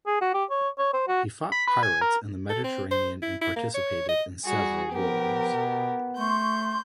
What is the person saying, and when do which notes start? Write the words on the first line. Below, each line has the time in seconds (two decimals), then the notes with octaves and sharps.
He fought pirates in the Mediterranean and participated in several wars.
0.07 G#4
0.21 F#4
0.34 G4
0.50 C#5
0.78 C#5
0.93 C5
1.08 F#4
1.52 B5
1.67 B4
1.83 G#5
2.01 A#4
2.50 A4
2.64 C4
2.91 C5
3.22 E4
3.41 E4
3.56 A#3
3.74 C#5
4.09 D#5
4.45 G3 F#4 G#4
4.93 F3 B3 G4 A#4
5.53 B2
6.17 A3 C6 C#6 G6